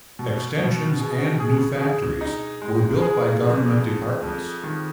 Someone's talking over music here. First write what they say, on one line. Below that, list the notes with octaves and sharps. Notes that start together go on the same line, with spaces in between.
Extensions and new factories were built by government departments.
B2
B2
G#4
G#4
G#4
D#4
G#3
G#4
F2
F2
F2
D#3